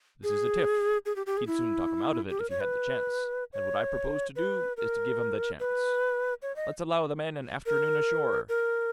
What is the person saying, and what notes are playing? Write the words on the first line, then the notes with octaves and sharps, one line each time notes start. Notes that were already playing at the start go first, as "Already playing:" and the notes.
This is a tiff; he'd soon talk 'em out of it if he had the chance, and what I propose to do is to give him the chance. Let's allow the men an afternoon ashore.
G#4
G#4
G4
G4
G#4
E4
G4
A#4
C#5
B4
C#5
B4
A#4
B4
C#5
D#5
A#4
A#4